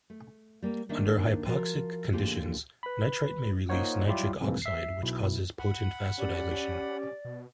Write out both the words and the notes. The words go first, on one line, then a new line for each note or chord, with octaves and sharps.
Under hypoxic conditions, nitrite may release nitric oxide, which causes potent vasodilation.
A3
G3 A#3
D#3 A#3 D4 D#4 E5
F3 F#4 A#4
A2 D3 F3 A#3 G4 G#4
B4 B5
A#3 D#4 F4 C5 C#5 F#5
F#3 G3 E4 F4 G4
C2 F2 G#2 C3 E3 A#3
E5 C7
B1 B2 E4
F#5 B5
C#4 G4 D5
G4
B2